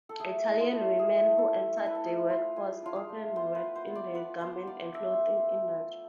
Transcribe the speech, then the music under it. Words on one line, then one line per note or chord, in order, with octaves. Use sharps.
Italian women who entered the workforce often worked in the garment and clothing industry.
A4
A3 G#4
E4
F4
A3
E4 G#4
A3
A4
E4
D4 A4
B4
A4
A3 G#4
F3 F4
F4 G#4
D4 F4
G#4
A3
B3 C5
B4
F4
C5
B3
D5
F4 B4
B3 C5
F4 D5
D4 E5
A3
F3
F4